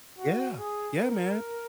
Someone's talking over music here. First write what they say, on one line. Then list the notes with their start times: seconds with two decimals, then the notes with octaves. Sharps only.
Yeah. Yeah, man.
0.18 F#4
0.59 G#4
1.01 A#4